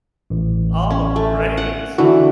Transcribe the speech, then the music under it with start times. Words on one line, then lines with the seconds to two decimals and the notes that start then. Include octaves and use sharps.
Oh, great.
0.30 A1
0.91 C#4
1.16 A3
1.57 F#5
1.98 D3 E3 D4 F#4